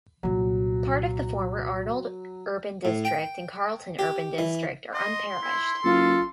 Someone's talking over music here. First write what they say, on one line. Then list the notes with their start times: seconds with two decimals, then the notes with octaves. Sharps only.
Part of the former Arnold Urban District and Carlton Urban District are unparished.
0.23 C2 A#2 F#3
2.85 A2
3.05 G5
3.99 G4
4.38 E3
4.94 D#5 C6
5.43 E4
5.85 F#1 F4 A4